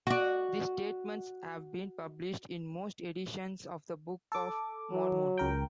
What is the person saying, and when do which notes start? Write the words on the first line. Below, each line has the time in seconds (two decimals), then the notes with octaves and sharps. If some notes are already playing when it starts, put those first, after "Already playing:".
These statements have been published in most editions of the Book of Mormon.
0.07 F#4 D5
4.32 A4 D6
4.92 F#3
5.38 C#2 A#4 G5